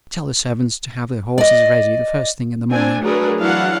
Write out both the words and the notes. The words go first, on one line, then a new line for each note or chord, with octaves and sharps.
Tell the servants to have the horses ready the first thing in the morning.
D5 D#5
C4 D4 G#5
F#3 A3 D4 G#4 A#4 B4
E3 F#3 D4 E4 F5 F#5